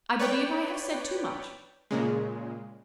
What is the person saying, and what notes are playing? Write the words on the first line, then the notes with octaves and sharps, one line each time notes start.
I believe I have said too much.
B4 C#5 D5 G5
A#2 C#3 G#3